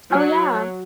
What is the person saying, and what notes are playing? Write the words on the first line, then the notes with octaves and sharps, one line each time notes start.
Oh, yeah.
F#3